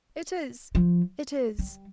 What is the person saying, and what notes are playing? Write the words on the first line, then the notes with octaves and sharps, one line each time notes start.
'It is--it is!
F3
G3